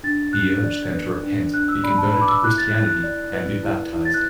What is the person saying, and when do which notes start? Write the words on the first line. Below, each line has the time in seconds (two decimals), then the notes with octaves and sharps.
He urged them to repent, be converted to Christianity, and be baptized.
0.03 D4 A6
0.33 D4 F#6
0.64 D5
0.94 B4
1.23 D4
1.54 D4 F#6
1.68 E6
1.83 D5 B5
1.98 A5
2.13 B4 B5
2.21 D6
2.29 E6
2.43 E4 F#6
2.58 A6
2.63 F#6
2.74 E4
2.83 F#6
3.03 D5
3.33 B4
3.63 E4
3.93 E4
4.05 A6
4.14 F#6